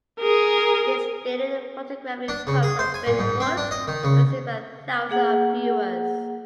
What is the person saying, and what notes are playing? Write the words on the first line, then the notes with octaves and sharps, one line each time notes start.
His daily photographic posts on Facebook are seen by thousands of viewers.
G#4 A#4
D4
C#3
G#4
C5
G#5
A#2
G#2
C4
D4
D#5
D#3
C#3
A#3 G#4 F#5